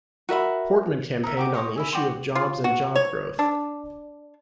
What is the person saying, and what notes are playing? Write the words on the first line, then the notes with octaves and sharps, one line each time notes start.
Portman campaigned on the issue of jobs and job growth.
F#4 A#4 E5 B5
D#4 A#4 E5
F#4 G4 D6
C5 C#5 D#5
E4 E5 G#5
F#4 D5 G5 C6
F4
F#4
C#5
D4